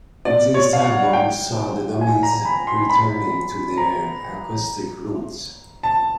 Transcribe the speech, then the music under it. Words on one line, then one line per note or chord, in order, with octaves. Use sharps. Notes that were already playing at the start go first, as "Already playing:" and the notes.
This album saw the Dummies returning to their acoustic roots.
D5
C#5
F5
F#5
G5
G#5
A#5
B5
C6
B5
A#5
A5